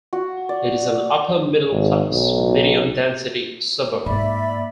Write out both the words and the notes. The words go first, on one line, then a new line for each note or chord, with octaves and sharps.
It is an upper middle class, medium-density suburb.
F#4
D5
G#1
B1
G#2 A#3 D5 E5 B5